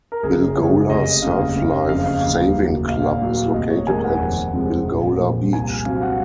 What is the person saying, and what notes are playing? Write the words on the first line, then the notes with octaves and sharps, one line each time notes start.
Bilgola Surf Life Saving Club is located at Bilgola Beach.
A#4
F#1 G#4
F#2 C#3 G#3 C#5
F1 D#5
D#2 C#3 F5
F#1 F5
D#5
F2 C#3 F5
F5
D#2
C#3 F#3
A#1 F5
A#2 F#3
F1 D#5
C#5
D#2 D#3 G#3 G#5
F#5
F2
C3 F3 G#3
A#1
A#2 F3
C2 G#5
C3 F#3 F5
F#5